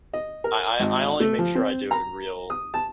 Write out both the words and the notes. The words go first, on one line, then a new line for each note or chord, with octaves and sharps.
I I I only make sure I do it in real,
D#5
A#4
G#1
A3
F3
C4
A#5
D#6
A5